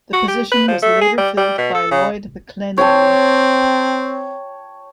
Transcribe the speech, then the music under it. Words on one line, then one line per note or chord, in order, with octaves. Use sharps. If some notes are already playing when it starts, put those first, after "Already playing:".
The position was later filled by Lloyd McClendon.
F#4
G4
B4
F3
A3
G#4
G3
G3
B2
A4
C#3
C4 C#5 G5 A5